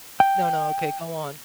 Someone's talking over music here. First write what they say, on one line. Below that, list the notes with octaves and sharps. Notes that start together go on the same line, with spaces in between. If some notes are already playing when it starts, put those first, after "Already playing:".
No, no, okay, go on.
G5